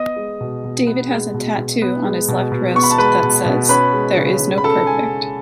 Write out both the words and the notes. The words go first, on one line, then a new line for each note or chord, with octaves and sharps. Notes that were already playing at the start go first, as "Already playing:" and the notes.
David has a tattoo on his left wrist that says "There Is No Perfect".
Already playing: B3 D#5 D#6
G#3
B2
B2
B3
G#3
B2
B2
B3
G#3
B2
B2
B3 C#6
B5
A5
G#3 B4 B5
B2
B2
C#4 B4 B5
G#3
C#3
C#3
B5
C#4 A4 A5
G#3 G#5